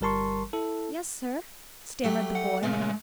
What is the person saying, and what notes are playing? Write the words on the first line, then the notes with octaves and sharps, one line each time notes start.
'Yes, sir,' stammered the boy.
G1 G3 A#4 A5 C6 C#6
E4 A4
F#3 A3 G4
F#5
A#2 C#3 G#3 A3 C#4